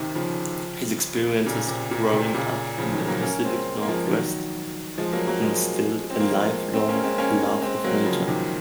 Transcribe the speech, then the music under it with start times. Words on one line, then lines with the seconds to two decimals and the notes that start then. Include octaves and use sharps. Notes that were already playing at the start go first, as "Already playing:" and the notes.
His experiences growing up in the Pacific Northwest instilled a lifelong love of nature.
Already playing: C3 D#3
0.15 C#3 F3
1.46 A#2 C#3
1.68 C3
1.91 A#2
2.13 C3
2.34 A#2 C#3
2.78 C#3 F3
2.93 D#3 F#3
3.07 F#3 A#3
3.22 A#3 C#4
3.44 G#3 C4
3.82 A#3
3.88 F3 G#3
4.06 F3
4.10 D#3 F#3
4.98 F3 G#3
5.12 F#3 A#3
5.27 F#3 A#3
5.42 F3 G#3
6.10 C4
6.20 A#3
6.29 F3 G#3
6.74 G#3 C4
6.88 A#3 C#4
7.03 G#3 C4
7.18 A#3 C#4
7.62 G#3 C4
7.84 F#3 A#3
8.06 C#3 F3
8.28 C3 D#3